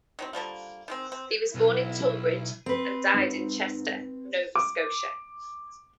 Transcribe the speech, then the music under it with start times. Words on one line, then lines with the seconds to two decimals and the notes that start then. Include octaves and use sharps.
He was born in Tonbridge and died in Chester, Nova Scotia.
0.19 D#3 F#3 C4
0.33 D3 F3 G3 A#3
0.88 D#3 G#3 C4
1.12 C4
1.55 B1 E4
2.66 C4 B4
3.14 G#2
4.55 D6